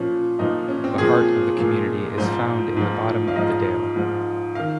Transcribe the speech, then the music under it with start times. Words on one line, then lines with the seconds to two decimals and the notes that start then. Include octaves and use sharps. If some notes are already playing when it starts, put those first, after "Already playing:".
The heart of the community is found in the bottom of the dale.
Already playing: A#2 F3 C#4
0.39 A#2 F3 D#4
0.68 C#4
0.84 C4
0.98 A#2 F3 G#4
1.57 A#2 F3
2.17 G#2 F3 C5
2.77 G#2 F3
3.28 F5
3.36 G#2 F3 D#5
3.96 G#2 F3
4.55 D#3 F5